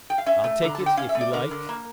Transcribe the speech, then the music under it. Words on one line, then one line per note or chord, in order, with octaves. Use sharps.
"I'll take it, if you like."
G5
F5
C#4 E5
A3
D3 A#5
D3 A5
G5
C#4 F5
E5
A3
D5
D3 A#4
D3
A#3